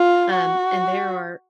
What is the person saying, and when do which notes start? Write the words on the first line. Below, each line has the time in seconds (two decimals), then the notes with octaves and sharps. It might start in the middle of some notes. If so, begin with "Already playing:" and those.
um, and there are
Already playing: F4
0.33 F#4